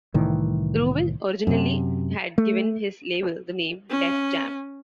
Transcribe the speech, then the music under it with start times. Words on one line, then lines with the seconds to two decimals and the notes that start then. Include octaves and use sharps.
Rubin originally had given his label the name "Def Jam".
0.14 C2 A2 D#3 E3
1.47 F#2 C3
2.38 A3
3.90 C#4